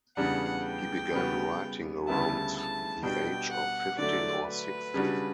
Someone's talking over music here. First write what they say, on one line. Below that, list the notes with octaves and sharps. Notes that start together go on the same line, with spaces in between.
He began writing around the age of fifteen or sixteen.
E2 C#3 G3 D4 F#5
G5
C#3 G3 B3 F#4
D2 C#3 G3 B3 E4 A5
A5
B2 G3 D4 F#4 G5
F#5
D3 F#3 A3 D5
B4
C#3 G3 D4 F#4